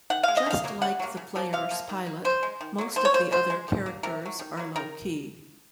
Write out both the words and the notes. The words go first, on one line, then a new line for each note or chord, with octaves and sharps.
Just like the player's pilot, most of the other characters are low-key.
D#3 F#5
G#3 F5
D#5
D#3 F5
F#3 A#3
C#3 F#5
F#3 A#3
C#3
F3 A#3
C3 F5
F3 A#3
D#3
A#3
C#3 C5
G#3
D#3
F#3 A#3
D#3 C5
C#5
A#3 C5
C#3 C5
G#3
D#3
A#3
C3 A#4
F#3 A#3
D#3
F#3 A#3
D#3 A#4